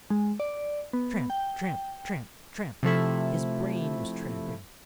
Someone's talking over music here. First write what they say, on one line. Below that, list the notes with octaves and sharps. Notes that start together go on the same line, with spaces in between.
Tramp, tramp, tramp, tramp; his brain was tramping.
G#3
D5
B3
G5
C3 F3 A3 E4